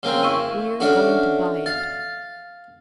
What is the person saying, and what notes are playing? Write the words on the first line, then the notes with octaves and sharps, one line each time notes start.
"We're going to buy it."
C#3 A#3 C4 G7
E4 F5 C#6 D#7
C#4 D4 F#4 A4 E5 F6
F5 A6